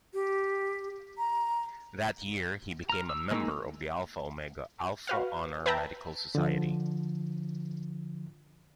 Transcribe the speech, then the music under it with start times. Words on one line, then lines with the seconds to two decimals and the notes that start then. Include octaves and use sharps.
That year he became a member of the Alpha Omega Alpha Honor Medical Society.
0.13 G4
1.18 A#5
2.90 A#5 F6
3.09 E6
3.31 G#3 A#3 D#4 E6
5.07 F#4 B4 F5
5.66 B4 E5 G5 A5 A#5
6.35 D3 F3